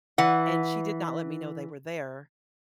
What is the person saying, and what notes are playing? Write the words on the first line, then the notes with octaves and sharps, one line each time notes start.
and she did not let me know they were there,
E3 F#5